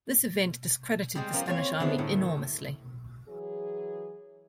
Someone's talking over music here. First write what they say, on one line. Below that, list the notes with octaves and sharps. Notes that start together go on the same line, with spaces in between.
This event discredited the Spanish army enormously.
G3 G#3 C4
F3 A#3 B3 C#4 A#4
A#3 C4 F4 G4 C#5
D3 G#3 B3 C4 D4 E4
A2 D#3
E3 F#3 G#4